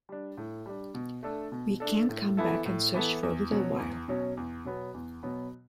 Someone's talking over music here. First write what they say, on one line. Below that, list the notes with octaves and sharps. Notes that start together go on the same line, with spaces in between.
We can't come back and search for a little while.
G3 D4
A2
G3 D4
B2
A3 D4 A4
B2
A3 D4 A4
A2
E3 B3 E4 A4
A2
E3 B3 E4 A4
E2
B2 F#3 C#4
E2
B2 F#3 C#4
E2
B2 F#3 B3
E2
B2 F#3 B3